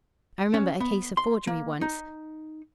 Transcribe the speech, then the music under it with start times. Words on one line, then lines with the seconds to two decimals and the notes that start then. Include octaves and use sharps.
I remember a case of forgery once.
0.54 C#4
0.80 B3
1.17 C6
1.47 A#3
1.81 D#4